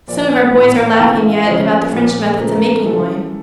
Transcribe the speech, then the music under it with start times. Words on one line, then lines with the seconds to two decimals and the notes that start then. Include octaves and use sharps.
Some of our boys are laughing yet about the French methods of making wine.
0.08 A#2 F3 D5
0.54 A2 E3
0.94 G5
1.00 C#3 E3 F5
1.23 E5
1.46 C#3 F3 C#5
1.93 A#2 F3
2.39 C#3 F3 A#4
2.55 A#4
2.70 A4
2.85 C#3 E3 A4